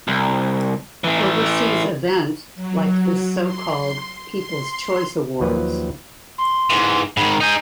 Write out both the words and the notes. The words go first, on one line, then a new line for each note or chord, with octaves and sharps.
Overseas event like this so-called "People's Choice Awards".
C2
E3 A3
F#3
C6
C6
D#2 F3 F#3 B4
C6
G#2 E3
G#2 D#3 B5
D#4 G#4 G6